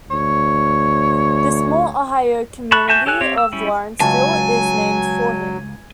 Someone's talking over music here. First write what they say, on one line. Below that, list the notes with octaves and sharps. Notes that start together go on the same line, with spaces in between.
The small Ohio community of Lawrenceville is named for him.
D2 C#5
A5 B5 C#6 F#6
F#4 E5 G#5 A5 G6
G4 A4 C#5 G#5 F#6
C4 G4 C#5
E6
G3 C#4 E4
C#2 F#3 G#5 A5